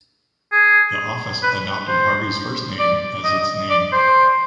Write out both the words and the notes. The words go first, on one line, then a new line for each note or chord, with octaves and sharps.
The office adopted Harvey’s first name as its name.
G#4
B4
C5
D5
D#5
D5
C5